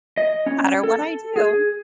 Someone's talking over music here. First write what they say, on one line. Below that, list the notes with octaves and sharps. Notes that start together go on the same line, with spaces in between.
no matter what I do,”
D#5
C#4
A4
G#4